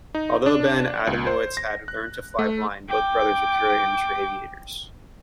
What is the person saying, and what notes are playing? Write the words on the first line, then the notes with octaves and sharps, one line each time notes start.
Although Ben Adamowicz had learned to fly blind, both brothers were purely amateur aviators.
D#4
D4
C#2
C5
A#6
F#6
A3
G5 D6